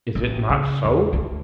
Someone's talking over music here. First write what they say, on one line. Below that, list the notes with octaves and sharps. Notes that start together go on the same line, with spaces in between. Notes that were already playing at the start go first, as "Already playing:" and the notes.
Is it not so?'
A1
C#3
E2
D2